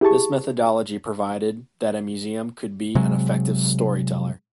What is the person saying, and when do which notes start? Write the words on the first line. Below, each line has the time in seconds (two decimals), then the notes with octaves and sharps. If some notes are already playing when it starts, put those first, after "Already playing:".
This methodology provided that a museum could be an effective storyteller.
0.01 E4 G4 G#4 A5 C#6
2.95 C3 F#3 G#3